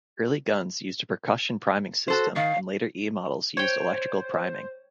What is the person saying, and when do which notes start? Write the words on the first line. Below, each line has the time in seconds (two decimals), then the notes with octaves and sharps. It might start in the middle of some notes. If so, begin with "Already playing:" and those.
Early guns used a percussion priming system, and later E-models used electrical priming.
2.08 F#4 A4 C5
2.36 D#3 F5
3.57 C5 C#5 G5